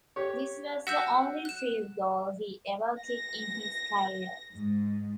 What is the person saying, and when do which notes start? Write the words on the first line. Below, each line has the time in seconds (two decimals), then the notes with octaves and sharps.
This was the only field goal he ever kicked in his career.
0.16 G4 C#5
0.87 F#4 E5 F#5 E6 G6
1.45 F#6 E7
3.02 A#6
4.53 G#2